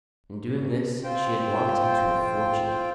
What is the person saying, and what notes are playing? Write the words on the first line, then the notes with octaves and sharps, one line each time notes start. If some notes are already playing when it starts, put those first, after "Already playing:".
In doing this she had walked into a fortune.
C4 F4 C5 G5